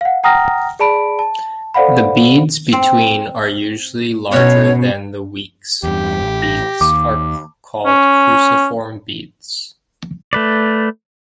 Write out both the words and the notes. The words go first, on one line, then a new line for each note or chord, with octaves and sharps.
The beads between are usually larger than the "weeks" beads are called "cruciform" beads.
F5 F#5
F#5 G5 A#5 D#6 F6 A#6
G#4 D5 A5 B5 D7
A5
A4 C5 D5 F5 F#5 B5
C4
B2 C#4 F#4 C#5
E2 G2 G4
A1
A#6
D#2 D6
C#4
A3 B4 D5